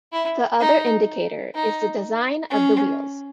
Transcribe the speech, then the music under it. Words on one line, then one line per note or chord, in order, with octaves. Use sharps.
The other indicator is the design of the wheels.
E4
D#4
D#4
C#4